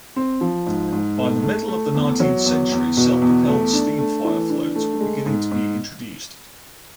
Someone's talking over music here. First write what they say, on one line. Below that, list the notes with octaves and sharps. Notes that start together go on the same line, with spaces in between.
By the middle of the nineteenth century, self-propelled steam-fire-floats were beginning to be introduced.
C4
F3
G#2
G#2
A3
A3
A3
E2
F#3
E2
E2
B2
E2
A3
D4
A3
E3
D4
A3
G#3
G#2
G#2